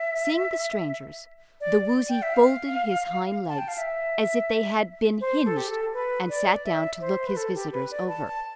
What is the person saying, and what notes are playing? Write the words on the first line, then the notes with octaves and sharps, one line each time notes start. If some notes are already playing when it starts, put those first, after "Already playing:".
Seeing the strangers, the Woozy folded his hind legs as if they had been hinged and sat down to look his visitors over.
Already playing: E5
D5
D5
G5
E5
F5
A5
G5
F5
E5
C5
A4
G4
A4
B4
D5
E5
C5
B4
A4
G4
B4
D5
A5
A5